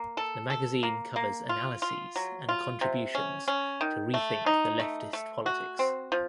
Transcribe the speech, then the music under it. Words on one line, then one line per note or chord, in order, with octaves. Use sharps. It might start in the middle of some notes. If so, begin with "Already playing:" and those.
The magazine covers analyses and contributions to rethink the leftist politics.
Already playing: A#3
A4
A4
A#3
A#3
F4
F4
F#3
F4
C3
C#4
C#4
D#3
A3
D#4
A3
A3
F#4
C4
F3